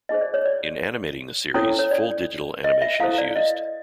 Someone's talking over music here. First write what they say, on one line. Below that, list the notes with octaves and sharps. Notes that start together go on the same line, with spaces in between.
In animating the series, full-digital animation is used.
D#4 G#4 C5 D#5
D5
C#5
D5
C#4 E4 A4 C#5
C#5
D5
D#5
E5
E4 A4 C5 F5
D5
D#5